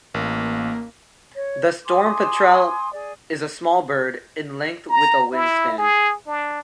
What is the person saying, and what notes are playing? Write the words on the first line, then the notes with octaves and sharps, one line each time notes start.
The storm petrel is a small bird, in length with a wingspan.
A1 A#3
C#5
G#5 C6 D6 D#6
G#4 D5
A#5
E4
G#4
D4